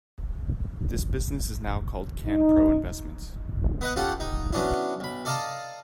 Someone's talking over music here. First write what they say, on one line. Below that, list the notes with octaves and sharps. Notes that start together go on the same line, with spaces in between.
This business is now called Canpro Investments.
D#4
B3 B4 D#5 F#5
C#4 F4 G4 A4 F#5
D#4
F#3 B3 C#4 D4 E4
B1 B5
A4 D5 D#5 F5 A5 A#5